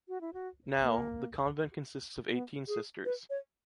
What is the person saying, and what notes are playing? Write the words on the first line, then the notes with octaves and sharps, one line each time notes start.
Now, the convent consists of eighteen sisters.
F#4
E4
F#4
A#3
B3
G#4
B4
C#5